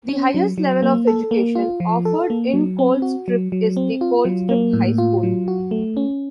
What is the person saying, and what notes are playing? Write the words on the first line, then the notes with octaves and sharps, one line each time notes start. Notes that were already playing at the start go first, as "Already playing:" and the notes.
The highest level of education offered in Colstrip is the Colstrip High School.
C#4
F#3
F#3
A#3
A4
A#3
F4
F3
A4
A#3
F#3
C4
F#4
F#3
F#3
C4
F4
F#3
A#3
A2
F4
F#3
F#4
A3
C#4